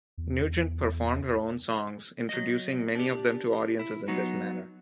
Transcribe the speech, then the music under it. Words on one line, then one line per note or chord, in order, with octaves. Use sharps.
Nugent performed her own songs, introducing many of them to audiences in this manner.
E2
F#3 D#5
D4 G4
E4
F#3 B3 D#4 F#4